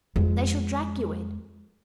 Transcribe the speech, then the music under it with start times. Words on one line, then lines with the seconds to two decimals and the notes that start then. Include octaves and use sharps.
"They shall drag you in."
0.16 F2 G#3